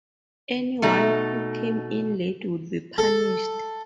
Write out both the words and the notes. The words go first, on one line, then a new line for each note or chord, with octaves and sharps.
Anyone who came in late would be punished.
B2 A3 D#4
A4